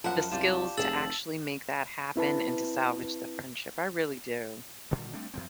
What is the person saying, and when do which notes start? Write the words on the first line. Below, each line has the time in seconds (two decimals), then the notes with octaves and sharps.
the skills to actually make that happen and to salvage the friendship, I really do.
0.04 F#2 F3 A#4 F#5 A5
0.32 C2 F4 G4 D5 E7
0.77 F1 G#4 A5 E6 A6 F#7
2.16 C4 E4 B4 A5
4.91 G#1 A#2 D3 G3
5.13 G3 A3 C4 D4
5.34 F#2 F3 C4